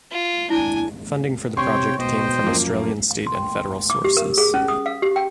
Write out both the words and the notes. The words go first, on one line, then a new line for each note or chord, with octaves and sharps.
Funding for the project came from Australian state and federal sources.
F4
D4 E4 G#5
C3 C#5 G5 C6 C#6
B2 C5 D#5 G5
F#2 F3 A#3
D6
G4
A#4
G#4
C#4
D#6
F5
G4
G5